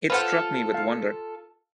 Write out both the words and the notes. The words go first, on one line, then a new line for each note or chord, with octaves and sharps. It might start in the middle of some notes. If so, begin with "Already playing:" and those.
It struck me with wonder.
F4 A4 B4 C5 F#5
F5